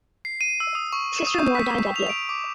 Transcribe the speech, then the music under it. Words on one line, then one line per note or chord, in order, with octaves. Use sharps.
Sister More died that year.
C7
D#7
E6
D#6
C#6
E7
D#6
G6
B6
F7
D7
D6